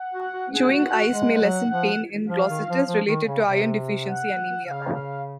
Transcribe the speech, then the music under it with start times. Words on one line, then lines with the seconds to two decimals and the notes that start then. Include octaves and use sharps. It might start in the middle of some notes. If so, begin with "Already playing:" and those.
Chewing ice may lessen pain in glossitis related to iron deficiency anemia.
Already playing: F#5
0.13 F#4
0.33 F#4
0.52 G#4 F#5
0.72 F#4
0.91 F#4
1.11 G#3
1.35 G#3
1.41 F#3
1.70 F3 F#5
2.28 F3 F5
2.49 D#3
2.68 F3
2.87 F3
3.07 D#3
3.27 C#3
3.46 C3
4.04 F#5
4.63 C#3 F5
4.93 F5